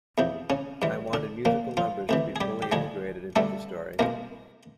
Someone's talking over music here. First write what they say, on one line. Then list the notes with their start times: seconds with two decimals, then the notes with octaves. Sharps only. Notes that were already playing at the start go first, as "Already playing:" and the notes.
I wanted musical numbers to be fully integrated into the story.
0.18 E2 C3 F3
0.50 C#3 C#4
0.82 G2 E3 G#3
1.13 D3 D4
1.45 A#2 F3 A#3
1.77 F3 F4
2.09 D2 C3 E3
2.36 G#4
2.41 G3 G4
2.62 G4
2.72 D2 D3 F3 G#3 G#4
3.36 G2 D3 G3 A3 A4
3.99 C2 B2 G#3 A#3 A#4